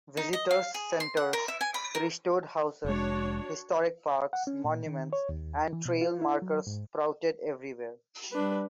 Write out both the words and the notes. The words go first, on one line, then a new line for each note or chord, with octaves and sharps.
Visitors' centers, restored houses, historic parks, monuments, and trail markers sprouted everywhere.
D#4
D#5
F5
G#4
C6
F#5
A#4
E5
G#5
B5
A#4
F1 G#3 D4 F#4 C#5
F#5
C#4
A#2
D#3
C#5
D#2
E3
B2
F4
E4
F#3
G#2
G3 D4 B4